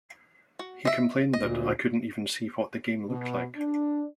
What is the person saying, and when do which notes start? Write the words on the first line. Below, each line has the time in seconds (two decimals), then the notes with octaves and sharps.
He complained that, I couldn't even see what the game looked like.
0.59 F#4
0.85 D#5 E5
1.33 D2 A#2 D#5
3.10 B2
3.56 D4